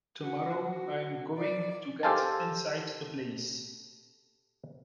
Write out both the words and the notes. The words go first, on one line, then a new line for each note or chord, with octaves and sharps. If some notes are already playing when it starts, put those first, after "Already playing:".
Tomorrow I'm going to get inside the place.
F#4
F#4
D5
G4 A4 C5 F5 G#5 A5